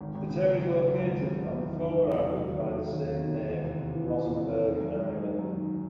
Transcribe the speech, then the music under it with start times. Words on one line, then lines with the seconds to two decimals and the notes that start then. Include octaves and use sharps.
The town is located on the former island by the same name: Rozenburg Island.
0.01 G#1
0.15 G#1
0.30 C#3
0.44 C#3
0.59 F#2
0.73 C#3
0.88 F#2
1.02 G#1
1.17 F#1
1.31 F#1
1.46 F#1
1.61 E2
1.75 D#3
1.90 D#3
2.04 E2
2.19 C3
2.33 F#3
2.48 D#2
2.62 D#2
2.77 D#2
2.92 D#3
3.06 D#2
3.21 D#3
3.35 D#2
3.49 E2
3.64 C3
3.79 C3
3.94 E3
4.08 E3
4.23 C4
4.37 E3
4.51 E2
4.66 D#3
4.81 F#2
4.95 G#3
5.10 F#2
5.24 D#3
5.39 F#2
5.54 D#3